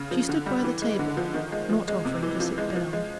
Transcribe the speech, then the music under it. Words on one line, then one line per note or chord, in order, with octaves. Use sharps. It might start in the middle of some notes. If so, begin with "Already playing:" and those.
She stood by the table, not offering to sit down.
Already playing: C#3
F3
D3
G3
E3
G#3
D3
F3
D#3
G#3
F3
G#3
C3
E3
F3
G#3
F3
G#3